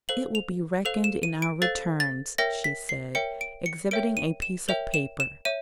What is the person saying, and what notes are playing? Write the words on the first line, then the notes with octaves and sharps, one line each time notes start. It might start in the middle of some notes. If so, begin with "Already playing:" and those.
It will be reckoned in our returns,' she said, exhibiting a piece of paper.
A4 C5 F5 F#7
F7
A4 C5 F5 F7
E7
D#7
D7
A4 C5 F5 A6
A6
A#4 C#5 E5 G5 A#6
B6
C7
A#4 C#5 E5 G5 C#7
D7
C#7
A#4 C#5 E5 G5 D7
D#7
E7
A#4 C#5 E5 G5 F7
E7
E7
C#5 E5 D#7